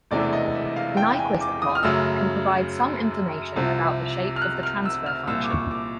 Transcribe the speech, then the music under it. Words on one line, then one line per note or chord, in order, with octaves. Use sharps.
The Nyquist plot can provide some information about the shape of the transfer function.
E1 E2 C3 E3 A3 D5
D#5
E5
F5
G5
G#5
D6
D#6
F6
F#2 C#3 F#3 A3 E6
C2 C3 F3
F6
F#6
F6
E6
F6
C2 A#2 F3 E6
D6
C#6
D6